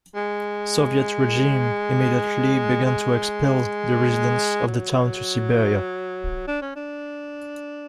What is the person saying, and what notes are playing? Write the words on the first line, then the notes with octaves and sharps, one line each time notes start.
Soviet regime immediately began to expel the residents of the town to Siberia.
G#3
G#3
F#3
D4
C#4
D4